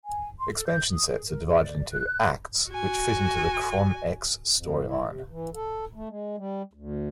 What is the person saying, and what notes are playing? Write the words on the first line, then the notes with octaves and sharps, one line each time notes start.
Expansion sets are divided into "acts", which fit into the Chron X storyline.
G#5
C6
A4
G6
D#6
G#4
A#4
G#4
D5
F#6
F#4 G#5
F2
E4
C3
E3
A4
A3
G#3
G3
D2